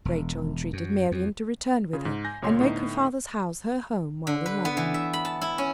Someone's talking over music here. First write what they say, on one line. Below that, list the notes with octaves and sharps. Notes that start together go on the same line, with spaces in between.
Rachel entreated Marian to return with her and make her father's house her home while in London.
E1
F#2
F2
C#3 F4 G#4
G#2
G#5 G6 A#6
C#2 A#2 C#5 C6
A2 D3 B3 D#4
D3
B4
B3
E3
E5
B5
A5
E4
C#4